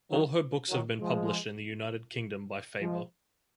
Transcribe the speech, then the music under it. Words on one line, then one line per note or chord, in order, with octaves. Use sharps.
All her books have been published in the United Kingdom by Faber.
D#3 F#3
D#3 F#3
F3 G#3
F3 G#3